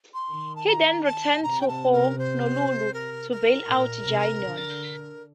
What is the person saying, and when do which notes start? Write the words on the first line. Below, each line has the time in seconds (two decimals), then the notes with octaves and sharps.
He then returned to Honolulu, to bail out Janion.
0.14 C6
0.29 D#3
0.56 A5
0.68 A#5
1.04 A5
1.43 C3 A#5
1.61 G5
1.68 A5
1.92 A#4
2.19 C5
2.94 A#4
3.32 A#4
3.70 A#2
4.08 C3
4.45 D3